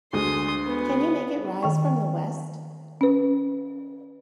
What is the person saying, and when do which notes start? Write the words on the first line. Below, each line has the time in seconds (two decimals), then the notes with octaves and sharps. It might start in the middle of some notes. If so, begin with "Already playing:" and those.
Can you make it rise from the West?
0.13 D2 D3 G#3 C6 D#6
0.67 B3
1.63 D#3 G5 C#6
3.01 C#4 B4